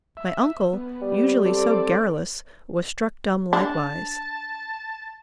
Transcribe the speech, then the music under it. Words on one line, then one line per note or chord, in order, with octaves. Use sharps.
My uncle, usually so garrulous, was struck dumb likewise.
E5
B3
G3
C4 A4 D5
D4 A5